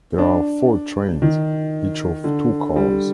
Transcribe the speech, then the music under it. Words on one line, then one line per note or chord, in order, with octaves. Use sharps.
There are four trains, each of two cars.
D4
D#3
D3
G3